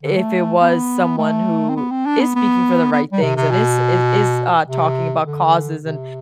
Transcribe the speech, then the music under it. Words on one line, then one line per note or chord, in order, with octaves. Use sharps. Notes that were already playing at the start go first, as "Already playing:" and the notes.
if it was someone who is speaking for the right things, and is is is, uh, talking about causes and
D3
A3
B3
A3
C4
B3
C4
D4
B3
B3
B3
G3
C3
C3
B2
C3
D3
C3